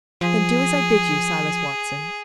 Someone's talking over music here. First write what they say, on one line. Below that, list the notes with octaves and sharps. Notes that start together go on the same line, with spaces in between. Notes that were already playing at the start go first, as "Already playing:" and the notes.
"Then do as I bid you, Silas Watson."
F3 G#4